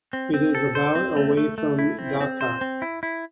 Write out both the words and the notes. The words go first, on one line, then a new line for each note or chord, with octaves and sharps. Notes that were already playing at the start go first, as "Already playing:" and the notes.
It is about away from Dhaka.
C4
C4
A4
C5
C4
A3
A3
A3
E4
C4
C4
C5
C4
E4
E4